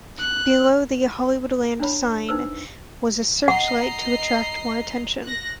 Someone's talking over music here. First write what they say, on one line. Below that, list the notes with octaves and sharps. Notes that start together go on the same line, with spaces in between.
Below the Hollywoodland sign was a searchlight to attract more attention.
F#6
D4 E4 C#5 B5
D4 D#4 B4 C5 E6
D#5 F#5 A#5 C7
F#6 A#6